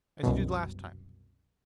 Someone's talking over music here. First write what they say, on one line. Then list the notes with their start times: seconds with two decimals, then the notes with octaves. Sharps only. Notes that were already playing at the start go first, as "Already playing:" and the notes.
As you did last time!
0.23 C2 F#2 B2